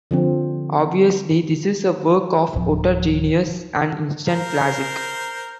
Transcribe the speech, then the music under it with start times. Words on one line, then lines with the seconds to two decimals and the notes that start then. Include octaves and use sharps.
Obviously this is a work of utter genius, an instant classic.
0.11 D3 F3 C4
2.53 D1 F3
4.26 A#4 C5